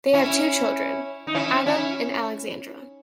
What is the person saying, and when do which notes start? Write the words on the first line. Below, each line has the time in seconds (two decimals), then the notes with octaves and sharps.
They have two children: Adam and Alexandra.
0.14 C#4 E4
1.27 D#4
1.35 C#4 E4
1.66 C#4 E4